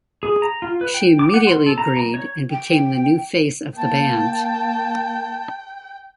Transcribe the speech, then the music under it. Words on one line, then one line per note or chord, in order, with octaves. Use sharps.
She immediately agreed and became the new face of the band.
G#4
A#5
F4
B4
G5
D6
F#5
C6
A4
A#5
A#5
C#5
G5
A#3 G5 A5